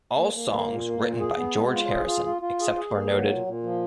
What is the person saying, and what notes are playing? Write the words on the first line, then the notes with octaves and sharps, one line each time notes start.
All songs written by George Harrison, except where noted.
A#3
A#3
A#3
A#2
A#3
A#2
G#4
B3
G#3
F4
G#4
F4
F4
F4
G#4
G#4
A#3
F#3
A#2
A#2
F3